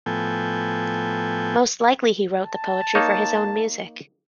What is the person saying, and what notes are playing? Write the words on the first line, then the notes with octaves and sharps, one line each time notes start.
Most likely he wrote the poetry for his own music.
A2 F3 B3 A4 G5 G#5
A5
A#3 D#4 C#5